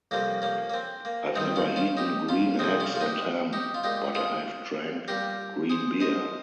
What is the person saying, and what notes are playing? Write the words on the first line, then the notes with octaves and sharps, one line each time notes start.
I've never eaten green eggs and ham, but I have drank green beer.
F2 C3 G3 A#3 C#4
A#3 C#4
A#3
C4
A#3
G2 D#3 G3 C4 D#4
C#4 F4
C#4 F4
D#4 G4
C#4 F4
F2 C3 G3 C4 D#4
C#4 F4
F4
D#4 G4
D#4 G4
F4
A#2 G#3 D#4 G4
F4 G#4
A#2 G3 G4 A#4
G#4 C5
C5 D#5